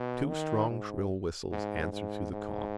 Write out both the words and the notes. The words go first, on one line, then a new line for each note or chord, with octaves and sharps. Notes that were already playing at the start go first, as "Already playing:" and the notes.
Two strong shrill whistles answered through the calm.
Already playing: B2
D#3
G#2
G#2
G#2
G#2